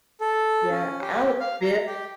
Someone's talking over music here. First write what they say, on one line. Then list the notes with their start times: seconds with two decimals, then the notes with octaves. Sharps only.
Yeah, I was very
0.20 A4
0.71 C#4
1.02 G4
1.40 F5
1.61 A#5
1.87 G4